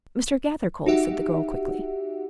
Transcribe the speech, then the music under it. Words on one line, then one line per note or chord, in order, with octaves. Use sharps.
"Mr. Gathercole," said the girl quickly.
D#4 F#4 G4 E5 F#5